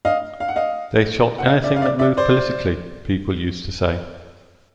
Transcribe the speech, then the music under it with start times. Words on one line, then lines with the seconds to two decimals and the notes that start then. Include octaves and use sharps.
"They shot anything that moved politically," people used to say.
0.05 D#5 F5
0.40 F5
0.48 F#5
0.56 D#5 F5
1.38 F#5
1.46 D#5 F5
1.64 D5 E5
1.76 F5
1.82 D5 E5
1.99 D5 E5
2.17 C5 D5